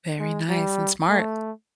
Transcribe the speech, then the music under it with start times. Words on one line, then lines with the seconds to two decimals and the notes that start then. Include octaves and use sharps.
Very nice and smart.
0.19 G#3
0.49 G3
1.09 A3